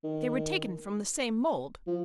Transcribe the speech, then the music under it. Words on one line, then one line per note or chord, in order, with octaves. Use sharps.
"They were taken from the same mould."
D#3
F3